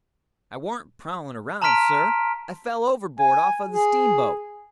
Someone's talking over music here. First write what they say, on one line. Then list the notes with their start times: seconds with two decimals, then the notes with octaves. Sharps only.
"I warn't prowling around, sir, I fell overboard off of the steamboat."
1.62 A5 A#5 C6 F6 B6 D7
3.19 G#5
3.69 G#4